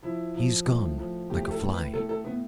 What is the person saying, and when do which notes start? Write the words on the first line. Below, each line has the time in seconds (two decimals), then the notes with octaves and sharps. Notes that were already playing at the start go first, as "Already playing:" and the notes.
He is gone, like a fly.
0.02 F3 E4
0.35 F3
0.67 A2
0.98 F3
1.30 A2 G4
1.42 G4
1.51 A4
1.62 A2
1.72 B4
1.94 A2 A4
2.09 A4
2.25 A2 B3